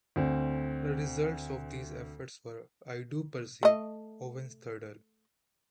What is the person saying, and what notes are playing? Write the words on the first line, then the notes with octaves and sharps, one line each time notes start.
The results of these efforts were "I Do Perceive", Owen's third album.
D2 C4
A3 D#5